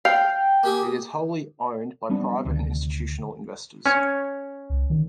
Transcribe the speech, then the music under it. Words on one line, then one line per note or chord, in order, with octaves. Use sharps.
It is wholly owned by private and institutional investors.
F5 G5
A#3 G4 G#4
F3 G3 B3 D4
D2 C3 D#3
C#4 C#5
C2
D#3